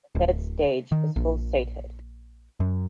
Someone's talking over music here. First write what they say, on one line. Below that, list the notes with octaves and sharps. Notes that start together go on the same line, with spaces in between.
The third stage was full statehood.
D1
D#3
A#1
F#2